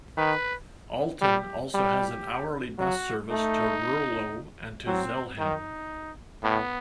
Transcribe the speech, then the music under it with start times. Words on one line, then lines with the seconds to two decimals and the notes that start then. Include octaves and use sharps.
Aalten also has an hourly bus service to Ruurlo and to Zelhem.
0.17 D#3 B4
1.21 G3 G4
1.74 G3 G4
2.78 F#3 F#4
3.30 A3 D#4
4.87 F#3 C4
5.39 D#3 D#4
6.43 A2 B3